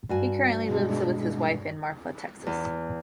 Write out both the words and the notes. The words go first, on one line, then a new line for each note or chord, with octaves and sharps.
He currently lives with his wife in Marfa, Texas.
G2 F#4 G#5
B2 G#3 D4
E2